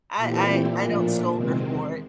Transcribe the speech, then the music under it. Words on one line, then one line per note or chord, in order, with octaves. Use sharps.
I I I don't scold her for it.
A#2 E3 A3 C4 E4 G4
A2 F3 A3 D4
E2 C3 D#3 G#3 C4